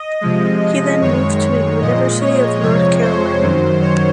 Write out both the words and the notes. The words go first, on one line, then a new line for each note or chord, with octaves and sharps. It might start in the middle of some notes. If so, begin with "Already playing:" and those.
He then moved to the University of North Carolina.
Already playing: D#5
C3 F3 G#3
D#5
F#2 D#3 G#3 C#5
A#2 F3 G#3 D#5
C#5
F2 C3 F3 G#3 C#5
C5
F#2 D#3 F#3
C#5